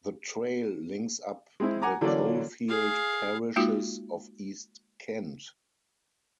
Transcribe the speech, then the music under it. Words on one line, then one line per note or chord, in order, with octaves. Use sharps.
The trail links up the coalfield parishes of East Kent.
G#3 C4 E4
F#5 G#5 A#5 D6
D3 E3 F#3 A#3 C#4 D5
G#4 F5
G#3 A#3 D#4 F4 F#4